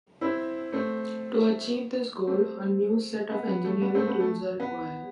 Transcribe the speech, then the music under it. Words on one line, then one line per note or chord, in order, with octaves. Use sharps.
To achieve this goal, a new set of engineering tools are needed.
C4 E4
A3 C4
A3 C4
B3
B3
A3
B3
A3 C4
B3
A3
B3